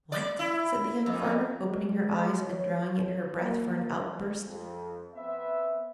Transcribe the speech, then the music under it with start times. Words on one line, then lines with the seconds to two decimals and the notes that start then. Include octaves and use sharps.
"What!" said the young farmer, opening her eyes and drawing in her breath for an outburst.
0.12 D5
0.39 E4
1.06 F2
1.58 G#3
2.41 C#5
3.41 A#3
4.45 F2
5.15 B3 C4 B4 E5